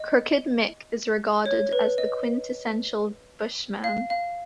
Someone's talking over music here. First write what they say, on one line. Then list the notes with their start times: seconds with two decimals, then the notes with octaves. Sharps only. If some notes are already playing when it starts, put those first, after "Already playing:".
Crooked Mick is regarded as the quintessential bushman.
Already playing: D#5
1.46 C#5
1.73 B4
1.98 D#5
3.84 F5
4.10 F5